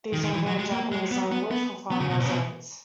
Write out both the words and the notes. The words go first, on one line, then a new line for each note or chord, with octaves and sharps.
These include Japanese language for foreign residents.
D#3
D#3
E3
F#3
G#3
A#3
G#3
B3
B3
B3
B3
C#3
B2
A#2
C#3
B2